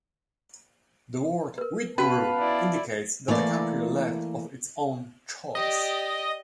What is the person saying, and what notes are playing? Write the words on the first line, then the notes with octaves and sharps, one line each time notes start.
The word "withdrew" indicates that a country left of its own choice.
A#4 B4
B3 C#4 F#4 B4 F5 A5
E4 D5
E3 A3 A#3 D5
G4 D5 D#5